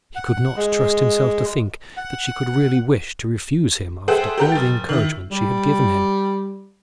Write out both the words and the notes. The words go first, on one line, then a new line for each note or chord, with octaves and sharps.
He could not trust himself to think that she could really wish to refuse him after all the encouragement she had given him.
F#5
G#3
F#5
G#4 A4 C5 E5 F#5 G5
G4 A4 A#4 F#5 G5
F#1 A6
D#3 E4
G3